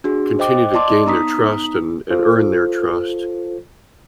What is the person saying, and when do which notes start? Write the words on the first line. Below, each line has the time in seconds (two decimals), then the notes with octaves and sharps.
continue to gain their trust and and earn their trust,
0.04 D4 F#4 G#4
0.39 C5 D#5 G5 D6
0.74 D5 D#5 A5 C6 D6
1.06 B3 D#4 A#5 D#6 B6
2.11 F4 A4 C5